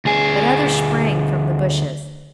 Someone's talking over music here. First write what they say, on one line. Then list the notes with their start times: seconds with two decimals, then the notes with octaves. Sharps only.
But others sprang from the bushes.
0.05 D2 G#4